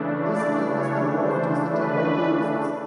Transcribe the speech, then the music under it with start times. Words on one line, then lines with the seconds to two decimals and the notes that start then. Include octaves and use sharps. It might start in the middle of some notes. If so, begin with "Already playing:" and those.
This street is the most visited by tourists.
Already playing: C#3 E3 A3 D4
0.29 D5
0.76 C#5
1.23 C5
1.70 B4